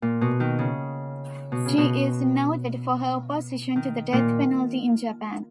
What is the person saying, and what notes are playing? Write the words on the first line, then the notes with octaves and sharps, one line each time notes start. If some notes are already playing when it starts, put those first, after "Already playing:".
She is noted for her opposition to the death penalty in Japan.
A#2
B2
D#3
C#3
B2
C#3
B2
D#3
A#2